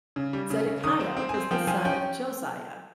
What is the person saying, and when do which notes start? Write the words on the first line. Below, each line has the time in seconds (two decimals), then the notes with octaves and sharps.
Zedekiah was the son of Josiah.
0.16 C#3
0.33 G3
0.50 C#3
0.67 C#3
0.84 D#3 D#6
1.00 C4
1.17 C4
1.29 C4 G#5
1.51 F3 G5
1.67 F3 G#5
1.85 C#4 G5